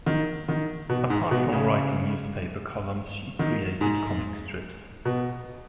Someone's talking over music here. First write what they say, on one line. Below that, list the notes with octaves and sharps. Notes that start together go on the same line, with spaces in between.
Apart from writing newspaper columns she created comic strips.
D#3
D#3
B2
G#2
B2
C#3
D#3
G#2
B2